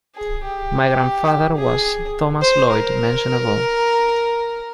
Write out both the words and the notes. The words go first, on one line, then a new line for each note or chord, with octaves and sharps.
My grandfather was Thomas Lloyd mentioned above.
G#4
G4
G#4
C5
A#4